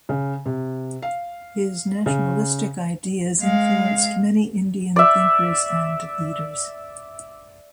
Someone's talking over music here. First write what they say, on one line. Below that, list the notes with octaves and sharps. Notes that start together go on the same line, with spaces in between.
His nationalistic ideas influenced many Indian thinkers and leaders.
C#3
C3
F5
C#3
G#3 F5
D5 E5